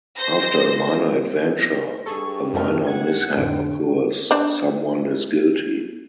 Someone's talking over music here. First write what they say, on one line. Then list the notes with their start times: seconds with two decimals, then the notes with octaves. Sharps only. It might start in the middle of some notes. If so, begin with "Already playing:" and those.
After a minor adventure a minor mishap occurs; someone is guilty.
0.17 C5 A#6
2.06 G2 G#4 A4 C#6
2.53 F#2 B2 A3 A#4
2.87 F#5 G#6
3.37 F2 A2 D3 G5
4.31 D4 C5 D5